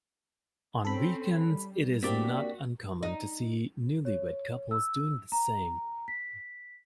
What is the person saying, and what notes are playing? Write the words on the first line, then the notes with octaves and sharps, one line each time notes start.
On weekends it is not uncommon to see newlywed couples doing the same.
C4 C#4 A4 B5
G3
A#3 C4 D4 F#4 G4 D5 B6
D#4
C#5
E6
A#5
B6